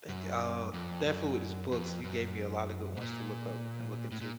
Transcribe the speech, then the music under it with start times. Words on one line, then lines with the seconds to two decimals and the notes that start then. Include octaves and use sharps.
Thank you, I'll definitely, these books, you gave me a lot of good ones to look up and look into.
0.09 F#2
0.74 F2
1.06 F#2
1.72 F2
2.04 F#2
2.97 B2
3.01 A#2
4.12 A2
4.21 A#2